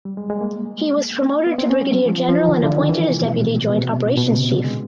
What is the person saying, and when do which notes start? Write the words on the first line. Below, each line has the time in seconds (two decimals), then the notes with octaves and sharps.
He was Promoted to Brigadier General and appointed as Deputy Joint Operations Chief.
0.05 G3
0.17 G#3
0.30 G#3
0.41 A#3
1.46 B3
1.58 C4
1.70 C#4
1.82 G3
1.93 F#3
2.06 F3
2.18 F3
2.28 F3
2.41 E3
2.48 D3
2.52 D#3
2.64 D3
2.76 D#3
2.89 E3
2.99 F3
3.11 C3
3.23 B2
3.34 A#2
3.70 B2
3.81 C3
3.93 B2
4.05 A#2
4.17 B2
4.28 C#3
4.41 C3
4.52 D3
4.64 G#3